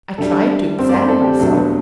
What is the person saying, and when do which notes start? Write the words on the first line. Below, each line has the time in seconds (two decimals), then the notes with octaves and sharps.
I tried to examine myself.
0.18 D2 D3 G3 A4
0.79 C4 C5
0.89 D5
0.94 C4 C5
1.09 A4
1.24 G4
1.39 E1 D2 D3 F#3 A3 A4
1.54 B3 B4